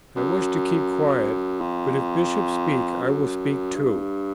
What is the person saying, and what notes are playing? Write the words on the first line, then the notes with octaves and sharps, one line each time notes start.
I wish to keep quiet; but if Bishops speak, I will speak too.
F#2
F2
F#2
G2